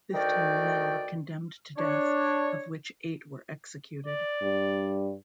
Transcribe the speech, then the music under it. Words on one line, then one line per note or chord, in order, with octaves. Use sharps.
Fifteen men were condemned to death of which eight were executed.
D2 D#3 F#4 D5 G5
D4 C#5
D5
G2